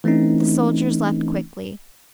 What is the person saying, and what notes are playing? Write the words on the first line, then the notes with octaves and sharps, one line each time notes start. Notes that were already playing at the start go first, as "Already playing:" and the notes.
The soldiers left quickly.
E3 A3 C4 C#4 D#4